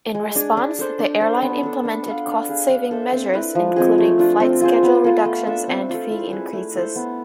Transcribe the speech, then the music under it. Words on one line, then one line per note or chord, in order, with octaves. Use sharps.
In response, the airline implemented cost-saving measures, including flight schedule reductions and fee increases.
G#3
D4 G#4
D4
A4 C5
D4
A4 C5
B3
D4 A4
D4
A4 D5 F5
D4
G#4 B4 F5
D4
A4 C5 E5
C4
E4 B4
F3
G#3 C4 G#4
A3
D4 F4
C4
F4 G#4 C5
B3
F4 A4
A3
D4 A4 E5
C4
F4 A4
E4
G#4 B4
A3
E4 A4 C5
B3